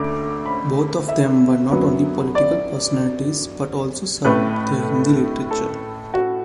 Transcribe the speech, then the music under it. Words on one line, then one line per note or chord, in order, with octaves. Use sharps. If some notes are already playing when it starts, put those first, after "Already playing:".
Both of them were not only political personalities, but also served the Hindi literature.
Already playing: D2 D3 A3 D6
B5
E5
F#2 F#3 B3
D5
A1 A2 A3 B4
A4
F#4